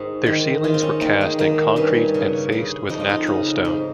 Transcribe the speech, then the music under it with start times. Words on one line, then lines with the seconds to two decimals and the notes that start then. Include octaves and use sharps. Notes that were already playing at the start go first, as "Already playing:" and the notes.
Their ceilings were cast in concrete and faced with natural stone.
Already playing: G#2 D#3
0.26 D#3
0.64 D#3 F4
0.74 C4
0.82 C#4
1.01 D#3 A#3
1.21 G#3
1.39 D#3 A#3
1.76 G2 C#4
2.14 C#3
2.52 C#3
2.89 F2 D#4
3.00 F4
3.09 D#4
3.27 C#3
3.65 G#2